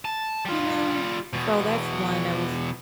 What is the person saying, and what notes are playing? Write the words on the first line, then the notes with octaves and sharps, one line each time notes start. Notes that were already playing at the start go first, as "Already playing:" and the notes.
You know? So, that's one that was
A5
G3 F4
E2 B2